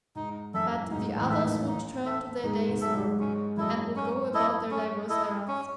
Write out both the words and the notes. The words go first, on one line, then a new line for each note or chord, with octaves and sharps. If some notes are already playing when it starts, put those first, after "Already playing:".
But the others would turn to their day's work, and would go about their divers errands.
G#2 D#4
F#2 A4 E5
A2
G#2 D#4
A1 A2
E3 A4 E5
D#2 D#3
D#4
A4 E5
G#2 G#3 D#4
G#2 G#3
F#3 A4 E5
G#2 G#3
F#3
G#2 G#3 C#4
F#2 F#3 E4 A4 D#5
C#4
E4 A4 D#5
C#4
E4 A4 D#5
C#4